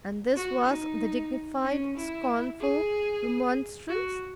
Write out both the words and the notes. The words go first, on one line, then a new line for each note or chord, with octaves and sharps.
And this was the dignified, scornful remonstrance!
F#4
D#4
C#4
E4
G#4
F#4